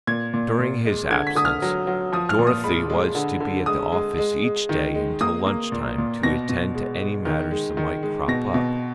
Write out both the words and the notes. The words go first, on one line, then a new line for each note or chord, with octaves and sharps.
During his absence, Dorothy was to be at the office each day until lunch time to attend to any matters that might crop up.
A#2 G#6
A#2
A#2
G#3
D3 G#6
B6
D3 D#6
F6
F#3
F#3
F3 D#6
F6
A#2
D#6
G#3 B5
G#3
D3
D3
G#3 D#6
G#3
G#3
G#3
D#3
G#3
A#3 D#6
A#3
A#2
A#2
B2 A#6
B2
G#3
G#3
D#3
G#3
D#3
G#3
B2 A#6
B2